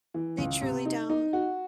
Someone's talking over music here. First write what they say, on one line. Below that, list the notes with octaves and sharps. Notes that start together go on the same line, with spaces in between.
They truly don't.
E3
C#2
C3
D#4
D#4
F#4